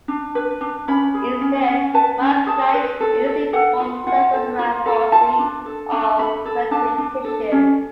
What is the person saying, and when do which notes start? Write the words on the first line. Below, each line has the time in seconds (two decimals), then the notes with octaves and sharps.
Instead, the myocytes usually form circles around foci of connective tissue.
0.08 D4
0.35 B4
0.61 D4
0.88 C#4 B5
1.14 G#4
1.41 C#4
1.68 C#4
1.94 B4 A5
2.20 C#4
2.47 G#4 A5
2.74 B4
3.01 A4
3.26 A4
3.53 A4 F#5
3.80 F4
4.07 F4 F#5
4.33 A4
4.59 F4
4.86 A4
5.12 F4 A5
5.39 D4
5.66 A4
5.92 D4
6.19 A4 B5
6.45 A4
6.71 D4 A5
6.98 D4
7.25 A4
7.52 C#4